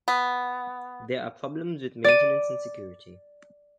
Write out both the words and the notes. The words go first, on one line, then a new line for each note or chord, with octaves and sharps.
There are problems with maintenance and security.
B3
D5 D#7